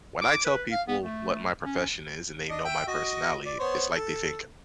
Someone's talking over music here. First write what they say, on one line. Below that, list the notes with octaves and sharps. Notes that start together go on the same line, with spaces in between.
when I tell people what my profession is and they know my personality, it's like they think
D6
B4
F5
B3
A3
C#4
D4 D#5
E5 G5
F#4 D#5
D5
B3 C5 C#5
A4